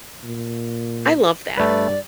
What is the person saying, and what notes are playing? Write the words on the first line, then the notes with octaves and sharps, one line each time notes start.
I love that
A#2
G2 A3 B4 D5